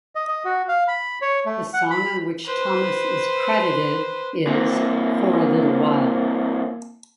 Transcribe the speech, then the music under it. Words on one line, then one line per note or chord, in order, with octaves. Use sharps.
The song on which Thomas is credited is "For a Little While".
D#5
D#5
F#4
F5
B5
C#5
A3
F#5
B5
B4 C5
C3 E3 A#3